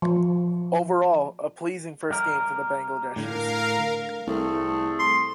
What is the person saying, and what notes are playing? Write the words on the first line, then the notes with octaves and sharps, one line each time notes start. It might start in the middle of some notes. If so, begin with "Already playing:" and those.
Overall, a pleasing first game for the Bangladeshis.
F3
G3 A#4
A2 D3 A#4 F5
C2 A3 G#4 A4
C6